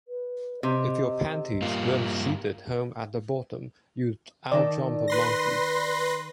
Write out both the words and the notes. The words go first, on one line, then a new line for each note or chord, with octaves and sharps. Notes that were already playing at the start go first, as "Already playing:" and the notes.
If your panties weren't sheeted home at the bottom, you'd outjump a monkey.
B4
C3 D#5
G2 A#3 F4
D#3 D#4 A4 D5
B4 C6 A#6